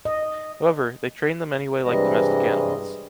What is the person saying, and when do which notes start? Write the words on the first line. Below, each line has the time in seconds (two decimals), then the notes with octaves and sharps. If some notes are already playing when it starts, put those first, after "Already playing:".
However, they trained them anyway like domestic animals.
0.05 D#5
1.84 G2 C3 E3 G3 G#3 D#5